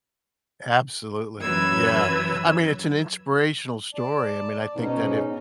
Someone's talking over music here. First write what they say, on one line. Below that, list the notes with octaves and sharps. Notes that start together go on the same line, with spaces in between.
Absolutely, yeah. I mean, it's an inspirational story. I mean, I think that if
F#2 E3 F#3 B4 E6 G#6
D5 A5
G#2 B2 C#4 D#4